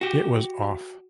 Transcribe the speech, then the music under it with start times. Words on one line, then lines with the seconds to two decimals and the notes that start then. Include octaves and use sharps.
It was off.
0.01 F#4 G4